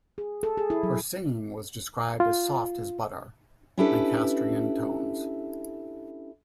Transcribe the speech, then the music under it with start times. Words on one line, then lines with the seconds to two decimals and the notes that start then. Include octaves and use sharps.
Her singing was described as soft as butter Lancastrian tones.
0.18 G#4
0.43 A4
0.57 G#4
0.70 E4
0.83 F#3
2.20 F4
3.78 C#4 D4 E4 G4 A4 B4